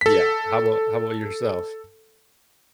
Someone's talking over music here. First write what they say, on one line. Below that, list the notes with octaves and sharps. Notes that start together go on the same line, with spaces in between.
Yeah, how 'bout how ‘bout yourself?
A4 B6